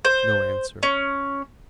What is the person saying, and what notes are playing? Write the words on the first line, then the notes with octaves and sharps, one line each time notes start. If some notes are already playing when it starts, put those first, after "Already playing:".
No answer.
C5
C#4